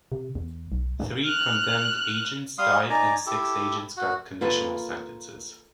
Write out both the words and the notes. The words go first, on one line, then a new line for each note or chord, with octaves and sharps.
Three condemned agents died and six agents got conditional sentences.
C3
E2
B1
F6 F#6
G3 F5 C6 D#6
D#4 D5 G#5 A#5
E4 G4 A4
F#4
A#3 F4 A4 B4